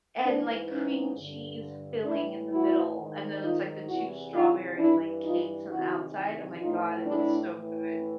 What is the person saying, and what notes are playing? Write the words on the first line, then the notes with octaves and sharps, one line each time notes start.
and, like, cream cheese filling in the middle. And then it's, like, the two strawberry, like, cakes on the outside. Oh, my god, it looks so good,
G#2 E3 C4 D4
C#4 D#4
G2 D3
A2 E3 D4 E4
E4 F#4
G#2 D#3
D#4 F4
E2 C3 E3 E4 F#4
D#4 F4
G2 E3 D4 E4
D#4 F4
E2 C3 D#3 E4 F#4
A2 E3 D#4 F4
D4 E4
A2 E3